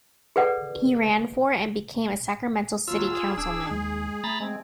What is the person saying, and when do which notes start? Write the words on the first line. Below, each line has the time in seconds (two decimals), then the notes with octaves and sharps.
He ran for and became a Sacramento city councilman.
0.36 G#4 A4 B4 D5 F#5
2.88 D#2 F#3 F4 E6
3.11 G#4
3.38 D1 D4 E6
3.71 D#2 G#3
4.24 A3 A#5 B5 A6
4.40 G#3 C4